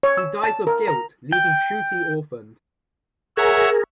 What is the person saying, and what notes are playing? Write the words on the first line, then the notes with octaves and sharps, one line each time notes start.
He dies of guilt leaving Shruti orphaned.
C#5
E6
A5
A#4
A#5
G5
G#4 A#4 C#5 E5 F#5